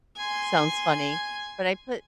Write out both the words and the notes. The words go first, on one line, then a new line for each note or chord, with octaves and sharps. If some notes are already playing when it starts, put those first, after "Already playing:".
sounds funny, but I put
G#5 C6